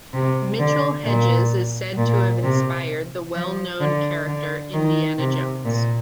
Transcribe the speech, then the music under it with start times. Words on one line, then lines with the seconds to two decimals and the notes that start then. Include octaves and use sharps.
Mitchell-Hedges is said to have inspired the well known character Indiana Jones.
0.14 C3
0.59 D3
1.05 A#2
1.98 A#2
2.43 C3
3.35 F3
3.81 D3
4.27 D3
4.73 D#3
5.19 C3
5.65 A#2